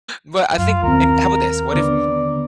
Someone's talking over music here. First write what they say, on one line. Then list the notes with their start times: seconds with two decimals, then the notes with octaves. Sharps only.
But I think and how about this? What if
0.58 F#2 F4
0.83 D#2 C4 A#4
1.72 D3 B3 B4 D5